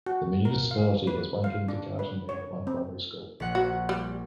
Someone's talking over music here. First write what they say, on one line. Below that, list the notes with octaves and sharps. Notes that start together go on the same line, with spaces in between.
The municipality has one kindergarten and one primary school.
F#4
A#4
F5
B4
F5
D4
B4
C#5
C4
A#1 F#5
F#4
G3